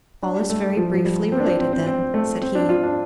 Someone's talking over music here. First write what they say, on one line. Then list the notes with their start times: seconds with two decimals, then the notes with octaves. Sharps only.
"All is very briefly related, then," said he.
0.23 D4
0.40 G3
0.50 A3
0.77 F3
0.94 F3
1.05 G3
1.32 C4
1.40 D4
1.46 F4
1.59 C4
1.73 C4
1.87 C4
2.14 A3
2.42 C4
2.55 D4
2.69 F4
2.83 D4